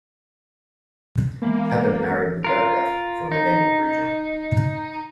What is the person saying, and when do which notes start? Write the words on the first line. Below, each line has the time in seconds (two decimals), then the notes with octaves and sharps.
Pepin married Leutberga from the Danube region.
1.42 E3 G#3 A#3 B3
1.81 B4
1.95 A4
2.44 F4 A#4
3.32 D#4